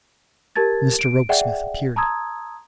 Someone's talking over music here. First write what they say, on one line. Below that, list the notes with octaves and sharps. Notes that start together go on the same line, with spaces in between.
Mr Rokesmith appeared.
G4 A#4 A5 G#6 A6
D7
G#4 D5 E5 F#5 G5
A5 A#5 C6 D#6 E6 G#6